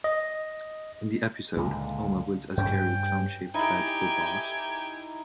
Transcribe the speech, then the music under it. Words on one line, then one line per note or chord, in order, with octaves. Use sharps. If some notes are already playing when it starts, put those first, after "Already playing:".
In the episode, Homer builds a scary clown-shaped bed for Bart.
D#5
C#2 A#2 D3
G2 C4 C#4 G5
D#4 E4 G4 D#5 G#5